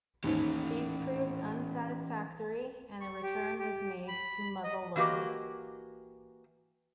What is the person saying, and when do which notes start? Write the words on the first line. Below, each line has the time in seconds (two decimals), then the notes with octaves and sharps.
These proved unsatisfactory and a return was made to muzzle loaders.
0.24 D#2 G#2 E3 C#4
3.01 C#6
3.22 G4
3.59 G4
4.08 B5
4.64 D#5
4.96 E3 A#3 F#4 G4 D#5